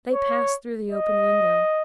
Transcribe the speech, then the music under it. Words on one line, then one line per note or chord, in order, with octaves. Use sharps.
They passed through the open window.
C#5
D#5